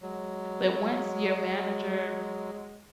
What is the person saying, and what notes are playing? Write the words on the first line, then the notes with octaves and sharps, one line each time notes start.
but once your manager
F#3 G#3